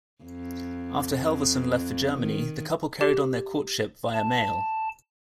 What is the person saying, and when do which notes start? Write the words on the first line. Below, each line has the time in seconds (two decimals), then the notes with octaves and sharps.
After Halvorsen left for Germany, the couple carried on their courtship via mail.
0.23 F2
2.19 D#3
3.01 G4
4.14 A5